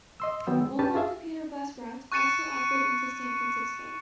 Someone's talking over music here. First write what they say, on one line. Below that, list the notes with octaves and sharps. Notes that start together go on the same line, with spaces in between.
Local and commuter bus routes also operate into San Francisco.
D#5 C6 E6
D#3 F#3 B3 G5 E6
G#3
C#4 D4 G4 B4 A5
F4 G#4 E5 F5
C#6 F#6 A6 C#7 D#7 E7